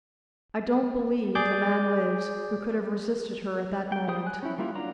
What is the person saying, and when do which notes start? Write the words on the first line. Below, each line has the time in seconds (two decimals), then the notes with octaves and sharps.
I don't believe the man lives who could have resisted her at that moment.
1.35 G#4 D5 D6 G6
3.92 G5
4.08 G3 G#4 C5 G5 D#6
4.26 G#5 F#6
4.43 C#4 E4
4.58 G3 A#3 E4 F4
4.75 F#3 D4 F4 A#5